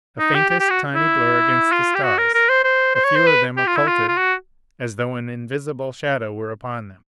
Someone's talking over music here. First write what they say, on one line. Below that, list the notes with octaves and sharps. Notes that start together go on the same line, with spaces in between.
A faintest, tiny blur against the stars, a few of them occulted as though an invisible shadow were upon them.
D#4
G4
G4
G4
F#4
E4
F4
G4
F#4
A#4
A#4
C5
C5
C5
C#5
C5
B4
G4
F4
E4
F4
F4
F#4